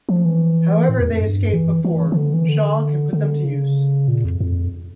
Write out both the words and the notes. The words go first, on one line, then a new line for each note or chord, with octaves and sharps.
However, they escape before Shaw can put them to use.
F3
E3
A2
E2
F2
G2
E3
E3
E3
D3
E3
D3
D3
C#3
A#2
F2
F2